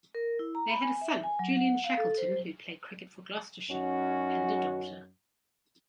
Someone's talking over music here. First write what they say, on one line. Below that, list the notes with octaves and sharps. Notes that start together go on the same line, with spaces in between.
They had a son, Julian Shackleton, who played cricket for Gloucestershire, and a daughter.
A#4
E4
A#5
B5
G#5
E5
G#5
F#3
F#5
F5
A4
C5
F#2 C#4 D#4 F#4